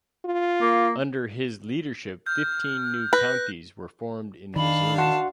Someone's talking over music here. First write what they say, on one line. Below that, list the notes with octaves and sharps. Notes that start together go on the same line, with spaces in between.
Under his leadership fifteen new counties were formed in Missouri.
F4
A#3
F6 G6
B4 F#6 A#6
D#3 D4 F5 B5
F#4 F#5 A5 C6